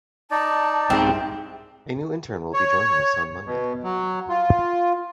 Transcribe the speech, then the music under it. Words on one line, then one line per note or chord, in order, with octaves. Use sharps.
A new intern will be joining us on Monday.
D#4 D5 A5
C2 G#2 C4
C#5
B2
F#3
F4